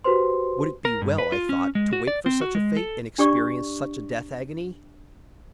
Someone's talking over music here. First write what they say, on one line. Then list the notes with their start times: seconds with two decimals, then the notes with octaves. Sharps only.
Would it be well, I thought, to wait for such a fate, and experience such a death-agony?
0.04 F#4 G4 B4 C5 C6
0.85 A#4
1.02 G2
1.18 B4
1.32 F4
1.49 C#4
1.75 G#3
1.93 F#4
2.07 D5
2.26 C4
2.41 F#4
2.55 G#3
2.77 A4
3.18 D4 G4 D5 C#6